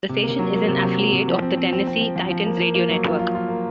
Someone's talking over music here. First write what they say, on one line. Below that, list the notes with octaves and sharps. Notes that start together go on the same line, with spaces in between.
The station is an affiliate of the Tennessee Titans radio network.
C3
A#3
F#3
A#3
C3
F#3
F#3
C3
F3
C4
C4
C4
C4
F3
F3
F3
A#3
A#3
A#3
F#3
F4
F4
F4
A#3